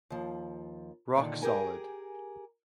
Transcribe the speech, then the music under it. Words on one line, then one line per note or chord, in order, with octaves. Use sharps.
Rock solid.
D#2 F3
A#2 D3 D#3
G4 G#4 A#4 G#5